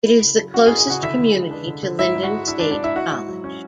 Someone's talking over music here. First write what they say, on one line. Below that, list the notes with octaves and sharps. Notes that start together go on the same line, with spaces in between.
It is the closest community to Lyndon State College.
E4
C#3
F#3
C#4 F#4 F#5
G#4 G#5
E4
G#4 G#5
C#3 F#4 F#5
D3 E4 E5
D3
G#3
D4
D3
D3
G#2 E4 E5
G#2
F#4 F#5
G#3
D4 E4 E5
D4 D5
G#2
D4 D5
G#2 E4 E5
E4 F#4 F#5
G#2
F#3
C#4